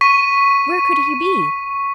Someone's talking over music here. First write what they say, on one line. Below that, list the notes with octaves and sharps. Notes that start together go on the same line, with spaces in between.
Where could he be?
C#6 B6 D#7